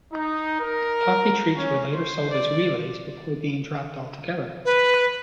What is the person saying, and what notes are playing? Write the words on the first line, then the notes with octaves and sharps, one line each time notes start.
Toffee Treets were later sold as Relays, before being dropped altogether.
D#4
A#4
C#4
C5
D5
B4